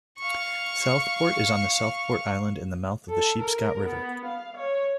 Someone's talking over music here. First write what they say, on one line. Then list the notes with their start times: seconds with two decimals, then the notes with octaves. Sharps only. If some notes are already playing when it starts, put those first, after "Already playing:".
Southport is on Southport Island in the mouth of the Sheepscot River.
0.19 F5 C#6
3.10 A4
3.42 A#4
3.85 B3
4.26 F5
4.58 C#5